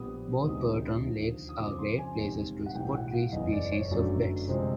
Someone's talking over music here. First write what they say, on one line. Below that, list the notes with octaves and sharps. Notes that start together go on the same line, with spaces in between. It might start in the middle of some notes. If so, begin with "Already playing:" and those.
Both Perton lakes are great places to spot three species of bats.
Already playing: A#1 A#2 G3 B3 D#6
D2 C3 D#3 G#3 B3 D#6
D#2 D3 F3
D#6
F2 C#3 F3 D6
C6
G#5
E1 D#2 D#3 G3 C4
F#5
B1 A2 E3 G3 G5
F#5
F5
F#1 E2 C#3 D#5
D5
C#5
G1 F#2 D3 F#3 A3 D5
C2 C3 F3 G#3 C4